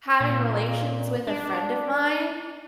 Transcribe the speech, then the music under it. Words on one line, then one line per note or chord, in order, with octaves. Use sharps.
having relations with a friend of mine
A#2
D4